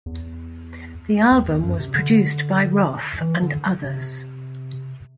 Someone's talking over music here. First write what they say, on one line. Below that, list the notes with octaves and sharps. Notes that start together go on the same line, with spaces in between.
The album was Produced by Ruff and others.
E2
E2
E2
F#2
C3
D3
E3
D3
C3